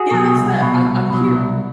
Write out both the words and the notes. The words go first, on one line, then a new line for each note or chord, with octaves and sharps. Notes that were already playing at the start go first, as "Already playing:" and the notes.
yeah, that's that. I'm I'm here,
Already playing: F#4 G#4
B2 F#3
C2
B2 F#3
C2
B2 F#3
C2